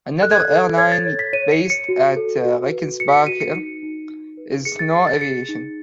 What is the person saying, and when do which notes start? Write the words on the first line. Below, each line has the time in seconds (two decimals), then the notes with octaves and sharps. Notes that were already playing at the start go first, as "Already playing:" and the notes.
Another airline based at Rickenbacker is Snow Aviation.
0.22 A4 F#6
0.31 G#6
0.39 F#6
0.50 A4
0.77 C#5 G#6
0.92 A6
1.06 C#5
1.19 B6
1.33 C#5 D#7
1.52 C#7
1.60 C#5
1.70 C#7
1.89 F#4
2.16 A4
2.45 F#4
2.72 B4
3.00 F#4 C#7
3.08 B6
3.13 C#7
3.27 F#4 D#7
3.40 C#7
3.55 D#4 C#7
3.83 D#4
4.10 D#4
4.37 B4
4.65 G#4 C#7
4.79 A6
4.93 G#4
5.07 A6
5.21 G#4 C#7
5.49 D#4